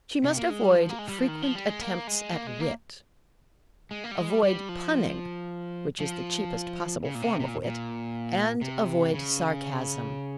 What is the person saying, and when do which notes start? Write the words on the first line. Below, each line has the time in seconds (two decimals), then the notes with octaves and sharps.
She must avoid frequent attempts at wit; avoid punning, which is the cheapest possible form of wit; and avoid sarcasm.
0.24 C3
0.37 A#3
0.50 G#3
0.63 G3
0.76 F3
0.89 A#3
0.99 G#3
1.09 G3
1.19 F3
1.28 D#3
1.42 F3
1.55 G3
1.68 G#3
1.81 A#3
2.07 G#3
2.33 A#3
2.47 G#3
2.60 A#3
3.91 G#3
4.04 A#3
4.11 G3
4.17 G#3
4.30 G3
4.43 G3
4.69 F3
6.00 F3
7.05 C#3
7.15 A#2
7.22 C3
7.40 C3
7.48 A#2
7.64 A#2
8.61 C3
9.14 C#3